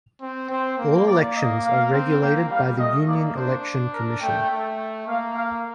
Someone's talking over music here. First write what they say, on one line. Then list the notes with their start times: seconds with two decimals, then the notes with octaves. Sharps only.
All elections are regulated by the Union Election Commission.
0.21 C4
0.50 C4 C5
0.78 A#3
1.07 A#3 D5
1.35 D#5
1.64 F5
1.93 C4
2.21 A#3 G5
2.49 G3 F5
2.79 A3 D#5
3.07 A#3 D5
3.36 D4 C5
3.93 A#4
4.21 A3 G5
4.51 A3
5.08 A#3 F5
5.36 F5